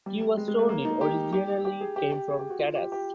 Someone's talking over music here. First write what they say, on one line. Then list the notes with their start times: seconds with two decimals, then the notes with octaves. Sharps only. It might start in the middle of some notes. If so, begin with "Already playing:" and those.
He was told it originally came from Tadas.
0.06 G3
0.21 G3
0.37 G#3
0.48 G#3
0.59 A3
0.69 A#3
0.85 D#4
1.01 G4
1.33 G4
1.65 G4
1.81 G#4
1.96 G4
2.12 G4
2.28 G#4
2.39 G4
2.50 F#4
2.59 F4
2.75 G4
2.92 G4